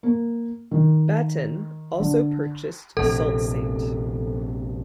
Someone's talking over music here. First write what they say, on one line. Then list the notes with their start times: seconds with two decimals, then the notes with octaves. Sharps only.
Baton also purchased Sault Ste.
0.03 A#3
0.71 D#3
2.00 D3
2.97 A#1 F2 C3 A4